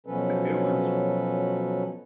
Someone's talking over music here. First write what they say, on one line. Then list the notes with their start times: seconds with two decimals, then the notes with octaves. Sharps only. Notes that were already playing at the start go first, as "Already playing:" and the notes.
it was
0.06 B2 F3 F#3 C#4 A4 B4